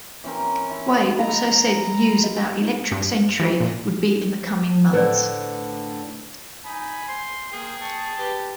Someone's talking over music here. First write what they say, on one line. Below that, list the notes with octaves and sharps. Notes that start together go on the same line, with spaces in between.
Way also said the news about Electric Century would be in the coming months.
E3 C4 C#4 A#4
E4
D#5 F5 A#5
D#5
G2
E3
A#2
A2 D3 B4 C5 D5
D#4 G#5 B5
C5 C6
A#3 G#4 G5
A5 C#6
G4 B4